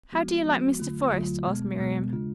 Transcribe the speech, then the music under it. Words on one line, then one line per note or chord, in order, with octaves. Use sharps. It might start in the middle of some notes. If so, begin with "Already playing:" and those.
"How do you like Mr. Forest?" asked Miriam.
F3 G#3 B3 F#4
F3 G#3 B3 F#4
D3 F#3 A3 F4
D3 F#3 A3 F4
B2 G#3 B3
B2 G#3 B3
C#3 G#3 D4 F4